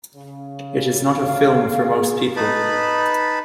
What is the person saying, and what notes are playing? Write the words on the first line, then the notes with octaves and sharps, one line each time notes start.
It is not a film for most people.
C#3
D2 F5
G#4
D#4 B4 A5 B5